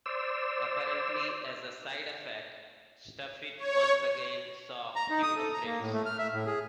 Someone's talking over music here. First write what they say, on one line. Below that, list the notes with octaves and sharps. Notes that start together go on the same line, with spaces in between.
Apparently as a side-effect, StuffIt once again saw few upgrades.
C5 D5 E6
C#5
A#5
D#4
D#6
A4
A#5
A#3
A2
A3
F6
E5
A2
G#4